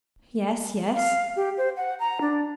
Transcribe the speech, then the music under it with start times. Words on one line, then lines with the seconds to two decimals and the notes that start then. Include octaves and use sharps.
"Yes, yes!"
0.94 F5
1.36 G4
1.58 C5
1.77 F#5
2.00 A#5
2.21 D4